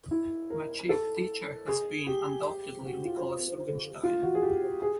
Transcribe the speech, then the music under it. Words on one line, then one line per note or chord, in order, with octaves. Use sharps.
My chief teacher has been, undoubtedly, Nicholas Rubinstein.
E4
A#4
A4
G#4
G4
F#4
F4
F4
F#4
G#4
G4
G#4